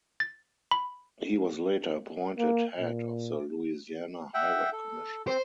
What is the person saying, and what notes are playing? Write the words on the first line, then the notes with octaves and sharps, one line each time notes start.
He was later appointed head of the Louisiana Highway Commission.
A6
B5
A#3
A#2
E5 F#5 G5
A4
C4 C5